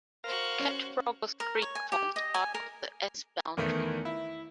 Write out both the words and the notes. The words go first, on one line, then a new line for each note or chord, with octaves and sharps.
Cattaraugus Creek forms a part of the S. boundary.
F#4 A#4 C5 F5
C#4
A#4
C#5
G#5
G4
D#5
G#5
A#4
E2 D#3 E3 A3
E4